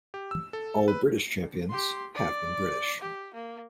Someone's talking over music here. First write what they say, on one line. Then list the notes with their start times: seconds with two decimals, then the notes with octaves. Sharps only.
All British Champions have been British.
0.14 G4
0.31 E6
0.53 A4
0.88 B4
1.70 G4 C6
2.14 D5
3.01 G4
3.34 A#3